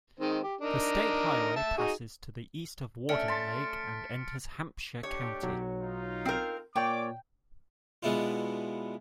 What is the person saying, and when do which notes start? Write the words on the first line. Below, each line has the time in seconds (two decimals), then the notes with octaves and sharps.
The state highway passes to the east of Warden Lake and enters Hampshire County.
0.20 D#3 G#3 C4
0.43 G4
0.61 D4 D#4 A#4
1.56 E5 A5
1.78 D#4 F#4 G#4
3.09 A3 C#4 D5 F6 C#7 D7
3.28 A5 C6 A6 B6 C#7
5.03 A3 D4 G4 C#5
5.43 B1 F#3
5.82 D#4 F4
6.25 C4 A#4
6.76 A#2 C#5 D5 G5 D6
8.03 B2 G#3 B3 D4 E4 F4